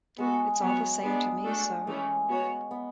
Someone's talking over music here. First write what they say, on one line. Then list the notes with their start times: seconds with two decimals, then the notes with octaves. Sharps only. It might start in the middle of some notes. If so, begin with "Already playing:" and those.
It is all the same to me, sir.
0.18 G#3 B3 F#4 A4
0.61 F#3 B3 F#4 C#5
1.02 G#3 B3 D4 G#4 D5
1.44 A3 D4 F#4 A4
1.87 E3 G#3 A3 C#4
2.29 B3 F#4 C#5
2.71 B3